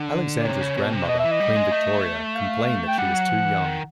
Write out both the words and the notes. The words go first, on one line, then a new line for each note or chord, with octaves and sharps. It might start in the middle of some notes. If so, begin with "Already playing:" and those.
Alexandra's grandmother, Queen Victoria, complained that she was too young.
Already playing: D3
D5
C3 C#5
C#3
B2
C3
B2 D#5
E3 E5
D#5
G3
G#3
A3
F5
G5
G3 F#5
F#3
F3
E3
D#3